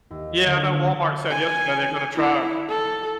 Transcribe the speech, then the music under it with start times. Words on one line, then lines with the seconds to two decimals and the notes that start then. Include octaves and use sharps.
Yeah, I know Walmart said yesterday they're gonna try
0.10 D#2
0.45 D3
0.68 C5
1.30 G#5
2.15 E4
2.69 A4